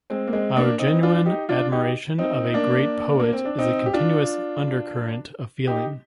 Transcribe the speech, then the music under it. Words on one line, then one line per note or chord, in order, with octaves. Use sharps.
Our genuine admiration of a great poet is a continuous undercurrent of feeling.
G#3 C4
A#3
G#3 C4
A#3 D4
C4 D#4
D4 F4
D#4 G4
D4 F4
D#4 G4
C4 D#4
D#4
A#3 D4
A#3
C4
D4
C4 D#4
G4
D4 F4
D#4 G4